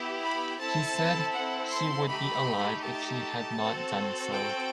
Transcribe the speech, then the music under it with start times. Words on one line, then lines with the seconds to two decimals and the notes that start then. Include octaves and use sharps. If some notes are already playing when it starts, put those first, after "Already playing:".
He said he would be alive if he had not done so.
Already playing: B3 E4 G4
0.23 B5
0.59 C4 E4 A4 A5
1.33 F#5
1.72 C6
2.08 A3 D#4 G4 B5
2.83 A5
3.57 C4 F#4 A4
4.32 G5